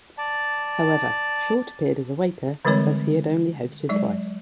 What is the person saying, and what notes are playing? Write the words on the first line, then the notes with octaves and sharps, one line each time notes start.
However, Short appeared as a waiter, as he had only hosted twice.
D5 A5
D3 E3 G3 G#3 C4 C#5
F#3 G#3 D5